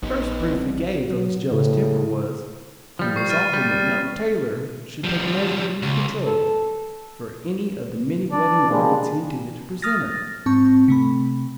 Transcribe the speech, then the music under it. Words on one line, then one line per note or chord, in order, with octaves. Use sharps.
The first proof he gave of his jealous temper was, in resolving that no tailor should take measure of his betrothed for any of the many wedding garments he intended to present her.
A#1 B3 D#4
C2
F#3
A2 C#3
F3 G3
C#6 C7
F6 A6 D#7
G3
F3 G3
C#2
A4
D4 D5
C#3 F3 G3 G#3 A#3 D4
D#6 F6 A6 A#6
G#2 C4 A5 C#6
C3 A3 B5